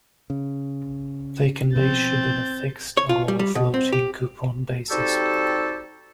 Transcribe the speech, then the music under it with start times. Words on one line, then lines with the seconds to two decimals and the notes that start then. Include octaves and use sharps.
They can be issued on a fixed or floating coupon basis.
0.30 C#3
1.76 B2 F3 C4 G6 A6
2.97 C#5
3.09 F4
3.28 G3
3.39 G3
3.55 B2
3.74 C4
3.93 G4
4.90 G3 C4 D#4 F#4 G4 A4